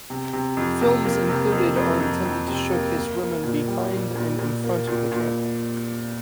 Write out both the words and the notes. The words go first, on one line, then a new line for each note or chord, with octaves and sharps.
Films included are intended to showcase women behind and in front of the camera.
C3
C3
F2
C3
A#3
C3
F2
F2
F2
F2
C3
A#3
A#3
A#3
A#2
G3
A#2
A#2
A#2
A#3
A#2
A#2